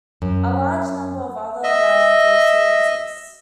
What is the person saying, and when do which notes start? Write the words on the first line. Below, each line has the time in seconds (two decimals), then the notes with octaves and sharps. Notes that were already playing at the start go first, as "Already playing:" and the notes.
A large number of other brands also exists.
0.22 F#2
1.64 D#5 E5